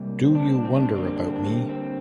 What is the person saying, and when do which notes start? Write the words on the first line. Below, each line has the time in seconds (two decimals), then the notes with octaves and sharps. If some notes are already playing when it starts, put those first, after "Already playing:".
Do You Wonder About Me?
Already playing: C3 G3 A#3
0.24 C4
0.35 D4
0.45 C4
0.55 D4
0.65 C4
0.76 D4
0.85 C4
0.95 D3 G3 A#3 D4
1.06 C4
1.16 D4
1.26 C4
1.36 D4
1.46 C4
1.69 C4